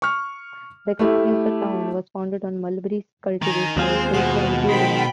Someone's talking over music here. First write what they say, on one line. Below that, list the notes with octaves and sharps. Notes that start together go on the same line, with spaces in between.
The economy of the town was founded on mulberry cultivation and silkworm breeding.
C#6 F6
A3 E4 G4
D#3 G#5 A#5
D#2 G#3 C4 F4 G#4 C5
B2 F#4 F#5
D#3 G#3 C5 G5 B5